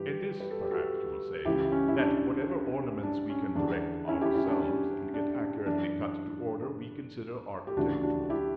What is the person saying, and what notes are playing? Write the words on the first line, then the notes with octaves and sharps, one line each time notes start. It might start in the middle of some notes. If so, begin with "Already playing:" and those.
In this, perhaps, you will say; that whatever ornaments we can direct ourselves, and get accurately cut to order, we consider architectural.
Already playing: G2 E3 G4 B4
B4
A4
G4
F#4 A4
C#2 C#3 E3 E4 G4
C#4
E4
D4
D4
C#4
E2 D3 D4
C#4 E4
E4 G4
C#4 E4
D4
C#4
D4
D4
F#2 E3 D4
G4
D2 C#3 E3 D4 F#4
D4 F#4
E4 G4